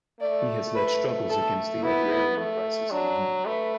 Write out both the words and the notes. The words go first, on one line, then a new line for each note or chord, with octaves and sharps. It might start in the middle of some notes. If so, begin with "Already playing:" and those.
He has led struggles against the agrarian crisis in India.
A3 D5
B4
A4
B3 E4
A3
F#3 D4
A3 B4